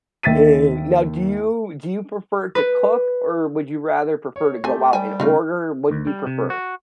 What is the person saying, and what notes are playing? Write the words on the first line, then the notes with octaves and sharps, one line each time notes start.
Eh, now do you do you prefer to cook, or would you rather prefer to go out and order? What do you prefer?
D#2 D#3 E5 A6 B6 D#7
B4
C#5
A3 C4 G4 G#5
G3 G5 G#5
C#3 A3 D#4 F4
D2
G3
C3
F#4